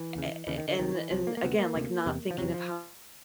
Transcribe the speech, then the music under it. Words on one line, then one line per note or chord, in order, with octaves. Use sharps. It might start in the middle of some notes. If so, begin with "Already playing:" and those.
a a and and again, like, not thinking of how
Already playing: E3
D#2 C#3
D#2 C#3 E3
D#3
D3
C2 C3 D#3
E3
C2 C3 F3
A#3
A#3
D2 C3 B3
A#3
D2 C3
E2 C3
F3
E2 C3 F#3
F3